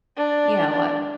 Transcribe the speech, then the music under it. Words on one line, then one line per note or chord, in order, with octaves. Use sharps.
you know, uh,
D4